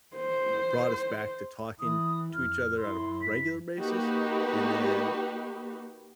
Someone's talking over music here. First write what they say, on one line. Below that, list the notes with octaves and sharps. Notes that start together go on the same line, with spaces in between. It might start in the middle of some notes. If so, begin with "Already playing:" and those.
ma brought us back to talking to each other on a regular basis. And then
C5
E3 E4 D#6
F2 F6
F#2 E4 C6
B6
A#3 D#4 F#4 G4 B4